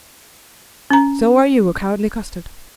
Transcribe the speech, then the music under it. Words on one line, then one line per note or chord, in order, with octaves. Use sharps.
"So are you a cowardly custard."
C#4 A#5